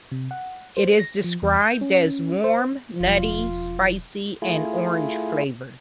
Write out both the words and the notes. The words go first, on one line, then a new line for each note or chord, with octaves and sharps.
It is described as warm, nutty, spicy, and orange-flavoured.
C3
F#5
C5
A#6
F3
E2
G6
C#4
C5
E1 F3 F4
A3 E4 F4 G#4